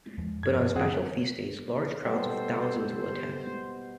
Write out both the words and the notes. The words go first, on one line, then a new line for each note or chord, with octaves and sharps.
But on special feast days, large crowds of thousands will attend.
E2 F3 G#3
G2 C3 F3 G#6
F#2 D#3 F3 C4 G#4 F#5
B2 G3 B3 A4 C5